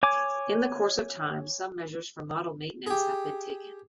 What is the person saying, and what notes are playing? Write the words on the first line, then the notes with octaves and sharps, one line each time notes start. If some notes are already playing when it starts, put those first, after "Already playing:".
In the course of time some measures for model maintenance have been taken.
C#5 G#5 D6
G4 G#4